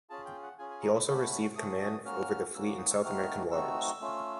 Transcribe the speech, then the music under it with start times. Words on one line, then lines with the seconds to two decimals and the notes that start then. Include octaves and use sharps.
He also received command over the fleet in South American waters.
0.10 C#4 F4 G#4 A5
0.25 G5
0.43 F#5
0.58 C#4 F4 G#4 G#5
0.70 G#5
0.82 A#5
0.95 B5
1.07 A3 C#4 F#4 B5
1.56 A3 C#4 F#4 D#6
1.81 D#6
2.05 A#3 C#4 F#4 F6
2.54 A#3 C#4 F#4 E6
2.66 D6
2.78 D#6
2.91 E6
3.03 A3 C4 D#4 F#4 F6
3.52 A3 C4 D#4 F#4 E6
4.00 A3 C#4 F4